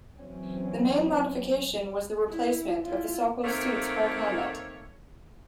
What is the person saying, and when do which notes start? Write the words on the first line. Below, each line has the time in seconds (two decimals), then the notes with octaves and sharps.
The main modification was the replacement of the Sokol suit's hard helmet.
0.16 E3 F#3 C4 C#4
2.29 E4
2.85 E4 F4
3.44 D#3 A3 A#3 C4 C#5